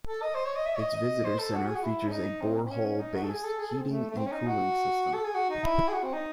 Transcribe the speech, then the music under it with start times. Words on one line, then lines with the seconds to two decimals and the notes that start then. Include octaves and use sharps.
Its visitor centre features a borehole-based heating and cooling system.
0.07 A4
0.22 D#5
0.34 C5
0.45 C#5
0.56 D#5
0.66 E5
0.76 C#5
0.80 D#5
0.95 D#5
1.24 C5
1.39 A4
1.54 F#4
1.67 G#4
1.75 F#4
1.83 E4
2.08 C#4
2.12 D#4
2.41 C4
2.66 C4
2.71 C#4
2.85 C#4
3.00 D#4
3.15 F#4
3.23 A4
3.30 G#4
3.44 A4
3.58 G#4
3.69 A4
3.78 C4
3.87 A3
4.10 A3
4.17 C4
4.26 C#4
4.32 D#4
4.47 F#4
5.13 A4
5.24 G#4
5.34 F#4
5.49 D#4
5.63 E4
5.88 G#4
5.93 F#4
6.03 C4
6.13 D#4